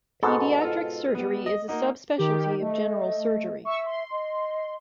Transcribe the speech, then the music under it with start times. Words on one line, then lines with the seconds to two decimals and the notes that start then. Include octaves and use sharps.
Pediatric surgery is a subspecialty of general surgery.
0.23 G#2 B2 A4
0.62 F4 A4
1.15 G3 B3
1.46 D#5
1.68 A#3 D#4 F#4
2.18 D#3 G4
2.61 A3 D#5
3.65 E5 C#6 E6
3.86 C6
4.11 D#5